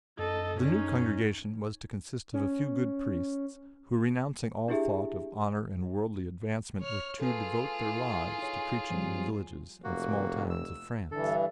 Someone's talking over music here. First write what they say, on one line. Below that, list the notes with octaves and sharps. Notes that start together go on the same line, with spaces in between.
The new Congregation was to consist of a few good priests who, renouncing all thought of honor and worldly advancement, were to devote their lives to preaching in the villages and small towns of France.
F#2 A4 D#5
C#4 D#4
C#4
D4 E4 G4 G#4 E5
C#5 F6
F4 G#4 A4 B4
E4
D#4 C#5
F3 G3 C4
F1 A#3 F#4
E6
G2 D3 E3 A4